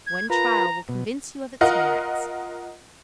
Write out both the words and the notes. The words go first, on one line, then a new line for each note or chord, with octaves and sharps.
One trial will convince you of its merits.
G#6
F4 A#4 B4 A#5
B2
F4 A#4 D#5 F#5